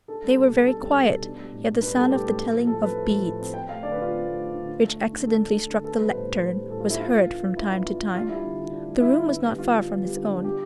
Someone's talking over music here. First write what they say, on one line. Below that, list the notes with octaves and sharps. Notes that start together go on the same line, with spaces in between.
They were very quiet, yet the sound of the telling of beads, which accidentally struck the lectern, was heard from time to time. The room was not far from his own.
D4 A4
G3
B2
B2
D4 A4
G3
B2
B2
D4
G3
A2
A2
D4 B4
G3 A4
A2 G4
A2
A3
F3
A2 A4
C4 B4
A3
F3
A2
C4
C4 G5
A3 F5
D3 D5
B4
D3 F4
C4
A3
D3
D3
D4
A3
D3
D3
D4 A4
A3
D3
D3
B3 A4
G3 B4
A2 C5
D4
B3
G3
A2 A4
F4
D4 E4
D4 F4
B3
E3
E3
D4 E4
B3
E3 F4
E3
D4 F4
G3 E4
D3
D3
D4
G3
D3 E4
D3
B3
G3
D3 F4
D4
B3
G3
D3
D4
D4 G4